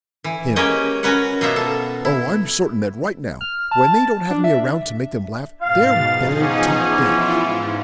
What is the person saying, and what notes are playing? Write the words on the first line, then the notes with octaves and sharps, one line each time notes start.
HIM: Oh, I'm certain that right now, when they don't have me around to make them laugh, they're bored to death.
E3
G#3 A#3 C#4 G4 D#5
C#4 F#4 A#4 B4 F#5
B2 A#3 B3 F4 C5 E5
A4
E4
F6
A5
D4
E5
G#2 B2 F5 A6
F3 D#4 G#4
E3 B3 C#4
E4 F4
G#2